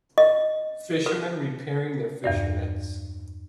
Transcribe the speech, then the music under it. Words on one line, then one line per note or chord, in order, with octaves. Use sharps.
Fishermen repairing their fish nets.
D#5
B4
E2 G2 D5